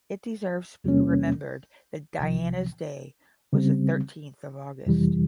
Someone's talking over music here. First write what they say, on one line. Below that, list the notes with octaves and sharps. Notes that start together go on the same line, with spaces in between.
It deserves to be remembered that Diana's day was the thirteenth of August.
E2 C3 G3 A#3 C#4
C2 C3 F3
C#3 G3 C4
F2 C3 E3 G3